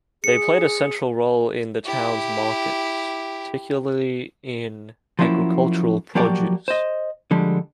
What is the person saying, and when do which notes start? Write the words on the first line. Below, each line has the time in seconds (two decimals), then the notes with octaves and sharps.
They played a central role in the town's markets, particularly in agricultural produce.
0.24 G#4 C#7
1.85 E4 G4
5.19 F3 F#3 A#3 C#4 E4
6.15 F3 F#3 A#3 F#4 G4 D5
6.68 C5 D#5
7.31 D3 F3 G3 G#3